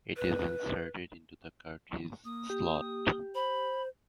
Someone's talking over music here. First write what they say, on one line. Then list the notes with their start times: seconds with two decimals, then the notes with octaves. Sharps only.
It is inserted into the Cartridge Slot.
0.17 B4
2.24 A#3 D#6
2.50 A#3 G4
3.35 C5 B5